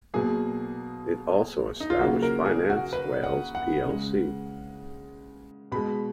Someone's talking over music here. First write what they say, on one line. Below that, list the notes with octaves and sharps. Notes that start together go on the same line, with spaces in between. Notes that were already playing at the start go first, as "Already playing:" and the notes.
It also established Finance Wales plc.
B2 F#3 A#3 G#4
D#4
F4
C#3 F#3 A#3 F#4
A#4
G#4
F#4
B4
F#5
F#5
C#3 G#3
B2 G#3 B5